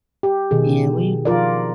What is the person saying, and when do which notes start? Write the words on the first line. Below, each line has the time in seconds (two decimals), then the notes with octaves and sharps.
and we
0.23 G4
0.51 B2 D#3 G#4
1.25 F3 F4 A#4 D5